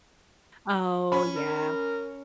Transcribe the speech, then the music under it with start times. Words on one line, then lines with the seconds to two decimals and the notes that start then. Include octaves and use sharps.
Oh, yeah.
1.12 C#4 B5
1.36 A#4